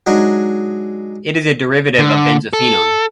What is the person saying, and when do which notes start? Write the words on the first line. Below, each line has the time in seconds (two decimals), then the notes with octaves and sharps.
It is a derivative of benzophenone.
0.07 F#3 G#3 D4 D#4
1.99 D3
2.53 A4